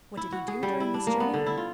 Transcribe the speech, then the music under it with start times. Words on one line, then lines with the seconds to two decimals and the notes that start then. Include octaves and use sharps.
What did he do during this journey?
0.17 E4
0.32 F#4
0.48 G#4
0.63 G3
0.80 E4
0.94 D4
1.07 A#3
1.20 B3
1.34 D3
1.46 E4
1.57 F4